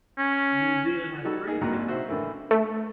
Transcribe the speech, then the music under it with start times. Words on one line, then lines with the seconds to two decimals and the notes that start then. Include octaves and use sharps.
New Zealand has three official languages.
0.18 C#4
1.25 G3 D#4 F#4 A4
1.48 D#4 G#4
1.61 G#1 G2 A#2 F#4 A#5 F#6
1.88 D#4 F#4 C5 E5
2.08 A2 D3 E3 A3 A#3
2.51 A3